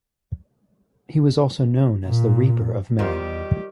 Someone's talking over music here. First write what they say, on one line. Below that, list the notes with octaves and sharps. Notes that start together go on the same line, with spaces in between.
He was also known as the reaper of men.
A#2
E2 D#3 G3 F4 G4 A#4 C5